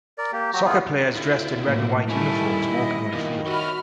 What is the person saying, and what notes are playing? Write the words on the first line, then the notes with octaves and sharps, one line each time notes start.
Soccer players dressed in red and white uniforms walking on a field.
A#4 D5
A#3 G4
F#3 F#4 G4 A#5
B3 E4 F4 G#4
D2 E4 F4
A2 F#3 A#3
A#2 D#3 G3 A3 C#4 E4 G#5
D#5
D#3 A#3 B3 F4
F#4 C#5 D#5 E5 B5 F6